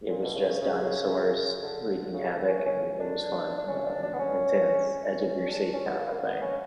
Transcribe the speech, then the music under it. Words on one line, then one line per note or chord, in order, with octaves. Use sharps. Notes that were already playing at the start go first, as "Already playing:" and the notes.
it was just dinosaurs wreaking havoc, and it was fun, um, and intense, edge of your seat kinda thing.
A#2
B2
C#3
C#3
C#3
D3
C#3
C#4
C#4
D4
D4
C#4
D4
D4
B3
C#4
C#4
D4
C#4
B3
A#3
A#3
B3
C#4